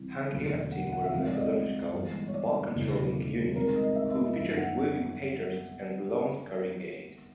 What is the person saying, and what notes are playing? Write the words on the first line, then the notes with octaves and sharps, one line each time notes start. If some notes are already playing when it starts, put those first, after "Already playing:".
Hank Iba's teams were methodical, ball-controlling units who featured weaving patterns and low-scoring games.
Already playing: C2 C3 E3 G3
E1 D2 D3 F#3
F#5
F#5
E5
C2 C3 F3 G#3 F5
D5
D#5
G1 G2 E3 G#3
C#5
D5
E1 D2 C#3 E3 G3
C2 C3 D#3 G#3 A#4
D#5
E5
E5
D#5
G1 F#2 D#3 E5
F#5